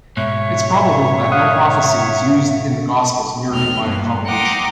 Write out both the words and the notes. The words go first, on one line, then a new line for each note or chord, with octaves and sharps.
It is probable that no prophecy is used in the Gospels merely by accommodation.
G#2 B2 C#5 E5
F5 F#5 D#6
E2 A2 D#4 G5 F6
G2 A#3 B3
F#5 G5 A#5 C6 D6 D#6